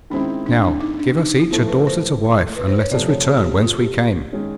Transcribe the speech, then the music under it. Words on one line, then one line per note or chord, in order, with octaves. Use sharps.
Now give us each a daughter to wife, and let us return whence we came.'
D#3 G#3 C4 C#4 E4
D4
D4
D#4
D4
D#4
D#4
E4
A2 F3 A3 F4
B4
C5
B4
C5
C#5
C3 F3 A3 D5
C#5
G#4
F#4
G4
F4
G4
D#3 G#3 C#4